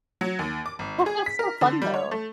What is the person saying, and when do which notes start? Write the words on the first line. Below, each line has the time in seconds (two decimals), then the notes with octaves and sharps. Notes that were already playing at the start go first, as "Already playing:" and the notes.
That's so fun, though.
0.21 F#3
0.39 D#2
0.66 D6
0.79 G#1
1.06 G#4
1.26 B6
1.39 A#4
1.61 D3
1.82 G3
1.94 C#5
2.11 A3